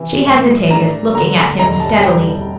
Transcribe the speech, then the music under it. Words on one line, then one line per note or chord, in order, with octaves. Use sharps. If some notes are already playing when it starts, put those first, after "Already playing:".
She hesitated, looking at him steadily.
Already playing: C3 E3
A2
D4 A#5
D3 A#5
E1 A#5
A5
G3 G5